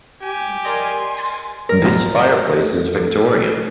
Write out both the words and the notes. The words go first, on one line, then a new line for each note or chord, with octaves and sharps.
This fireplace is victorian.
G4 G#5
A#4 D5 D#5 C6
B1 A#4
A3